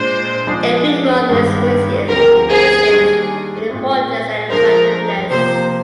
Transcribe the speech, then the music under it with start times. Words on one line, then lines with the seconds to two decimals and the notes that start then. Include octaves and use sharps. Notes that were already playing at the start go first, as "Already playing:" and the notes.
Every month this museum increases in importance and attractiveness.
Already playing: A#2 G#3 D4 C5
0.47 F3 G#3 D4 G#4
1.28 G2 D#3 G#3 D4
2.08 D2 D3 F3 C4 G4 A#4
2.49 G#4
2.89 D#2 D#3 G3 D4
3.69 A#2 G#3 C4
4.50 F3 G#3 D4 G#4 A#4 C5
5.31 C3 F3 A#3 C5